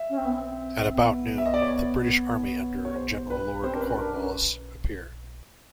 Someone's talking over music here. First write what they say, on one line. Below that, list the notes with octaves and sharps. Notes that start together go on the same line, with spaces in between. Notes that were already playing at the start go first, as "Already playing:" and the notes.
At about noon, the British army under General Lord Cornwallis appeared.
Already playing: E5
C#4
C4
B3
C4
B3
E5
D#5
D5
C#5
C#5
C5
B4
C4 C5
D4 A#4
C#4 B4
D4 A#4
C#4 B4